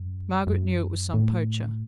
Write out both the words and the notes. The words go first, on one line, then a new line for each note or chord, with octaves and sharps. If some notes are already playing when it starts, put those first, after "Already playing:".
Margaret knew it was some poacher.
Already playing: F#2
F#2
A2